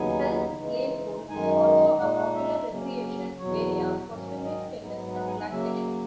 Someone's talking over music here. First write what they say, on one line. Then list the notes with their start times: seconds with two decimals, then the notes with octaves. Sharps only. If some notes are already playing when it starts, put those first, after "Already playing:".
Phelps Lane pool is also a popular recreation area for swimming, tennis and relaxation.
Already playing: D#2 C#3 F#3 B3 D#4 G#5
0.59 C#3 E3 G#3 D#4
1.29 F#2 D#3 G#3 D#4 G#5
1.99 A#2 G#3 D#4 F#5
2.17 F#5
2.34 E5
2.70 C#3 F#3 A#3 C#4
3.39 E2 B2 F#3 C#5
4.09 G#2 D#3 F#3 C#4
4.44 D#5
4.79 G#2 F#3 B3 D#4
5.15 F#5
5.27 G#5
5.38 F#5
5.50 C#3 F#3 A#3 E5